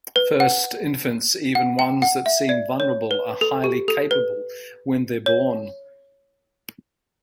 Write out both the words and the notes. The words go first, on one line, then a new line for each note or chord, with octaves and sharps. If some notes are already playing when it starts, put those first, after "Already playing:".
First, infants, even ones that seem vulnerable, are highly capable when they are born.
B4
F#5
F#5
G5
F#5
E5
D5
C#5
B4
A4
G4
A4
B4
C#5